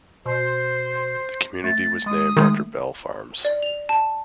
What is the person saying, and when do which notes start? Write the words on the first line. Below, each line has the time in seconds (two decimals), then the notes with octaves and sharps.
The community was named after Bell Farms.
0.26 B2 C5
1.64 A3 A6
2.06 G#3 D#6
2.37 D#3 G#3 A3
3.45 D5
3.62 F7
3.89 A5